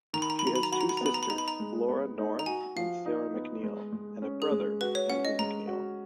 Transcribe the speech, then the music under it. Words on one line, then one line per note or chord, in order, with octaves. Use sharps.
She has two sisters, Laura Norris and Sarah McNeil, and a brother, Andrew McNeil.
D#3 A#5
B5
A#5
B5
F#3 A#5
B5
A#5
F#4 B5
A#5
B5
A#5
B3 B5
A#5
B5
D#4 A#5
B5
A#5
G#3
B3
D#4
A#5
F#4 G#5
F3 F5
D#4
B3
G#3
G#3
C#4
G#4
G#3
F#4 B4
C#5
C#4 F#5
D#5
G#3 A#5
F#4